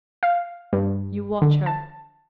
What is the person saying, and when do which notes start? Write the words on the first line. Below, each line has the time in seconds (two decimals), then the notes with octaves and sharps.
You watch her.
0.23 F5
0.73 G2
1.42 D3
1.66 A5